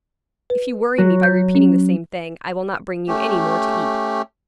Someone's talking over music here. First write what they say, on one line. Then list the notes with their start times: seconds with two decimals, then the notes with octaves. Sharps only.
"If you worry me by repeating the same thing, I will not bring you any more to eat."
0.50 B4
0.98 F#3 F#4
1.23 G6
1.55 C#4
3.08 A3 C#4 G4